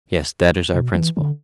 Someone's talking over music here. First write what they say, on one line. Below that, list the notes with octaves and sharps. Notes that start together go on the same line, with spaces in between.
Yes; that is our principle.
B2
E3
D3